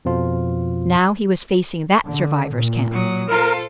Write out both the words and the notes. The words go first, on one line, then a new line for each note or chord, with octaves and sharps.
Now he was facing that survivor's camp.
F2 B2 F3 F4
D3
A#2
F#3 D#6
F4 A4 A#4 C5